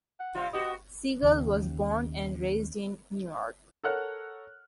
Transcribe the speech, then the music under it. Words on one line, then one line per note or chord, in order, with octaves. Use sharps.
Segal was born and raised in New York.
F#5
C3 G3 F4
B3 F#4 G4 D#5
D#2 C#3
A4 A#4 C#5 F#5 F6 F#6